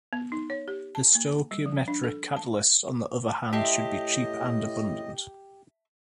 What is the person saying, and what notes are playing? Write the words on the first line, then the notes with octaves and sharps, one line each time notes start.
The stoichiometric catalyst on the other hand should be cheap and abundant.
B3
D#4
C#5
G4
A5
A#3
G3
F3
D4
A4
A5
A2 G4 D#5 E5 A5 C6